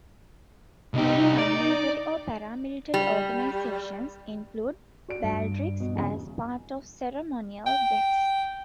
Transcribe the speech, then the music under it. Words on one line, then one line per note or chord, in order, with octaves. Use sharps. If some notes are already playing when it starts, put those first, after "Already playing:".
Many non-military or paramilitary organisations include baldrics as part of ceremonial dress.
C2 D#4 G4
D5
G3
F#4 D5 D7
G2
B2
E2 C#3
G5